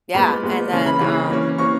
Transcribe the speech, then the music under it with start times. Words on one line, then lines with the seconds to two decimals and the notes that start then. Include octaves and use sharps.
Yeah, and then, um
0.14 A#2 G#3 B3 B5
0.43 A#2 G#3 B3
0.72 C#3 E3 A#3 C#4
0.86 B5
1.01 C#3 E3 A#3 C#4
1.30 E3 A#3 C#4
1.58 E3 A#3 C#4 C#6